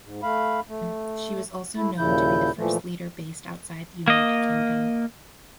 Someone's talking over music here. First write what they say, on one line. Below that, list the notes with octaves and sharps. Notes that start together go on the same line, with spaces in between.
She was also known to be the first leader based outside the United Kingdom.
G#2
A3 F5 B5
A3
A3 E4
D#2 A#2 C#3 E4 G6
A#2 E3 F3 A3
A#3 D#5